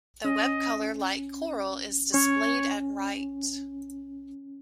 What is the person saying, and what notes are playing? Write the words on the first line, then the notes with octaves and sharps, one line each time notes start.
The web color light coral is displayed at right.
C#4 D#5
C#4 C#5